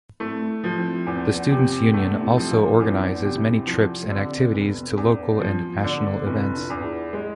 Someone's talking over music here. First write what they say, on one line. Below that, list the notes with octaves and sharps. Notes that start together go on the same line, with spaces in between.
The Students' Union also organises many trips and activities to local and national events.
A3 C4 E4
F3
C4 E4
E2 C4
B3
C3
C4
A3 B3 D4
C4 E4
F3
D4 F4
E2 C4 E4
B3 D4
C3
C4 E4
F3 C4
D3 C4
C4
F1 B3
C4
E2 C4
B3 D4
F3 C4
B3
D3
B3 D4
F1 C4 E4
D4 F4
E2
E4 G#4
G#3